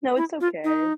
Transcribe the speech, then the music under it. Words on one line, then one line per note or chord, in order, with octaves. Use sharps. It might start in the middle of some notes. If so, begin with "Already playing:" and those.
No, it's okay.
E4
F4
D#4